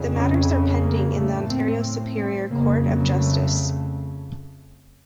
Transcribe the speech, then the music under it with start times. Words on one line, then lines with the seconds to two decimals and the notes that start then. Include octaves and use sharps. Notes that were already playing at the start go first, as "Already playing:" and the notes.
The matters are pending in the Ontario Superior Court of Justice.
Already playing: F2 C#3
0.14 C#4
0.82 A#3
1.16 A2 A3
1.49 C4
1.82 C4
2.16 C4
2.50 F2 C#3 A#3
2.84 F#3
3.18 A3